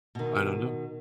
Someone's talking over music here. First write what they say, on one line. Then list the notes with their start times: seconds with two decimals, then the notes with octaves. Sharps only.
I don't know.
0.15 B2 D#3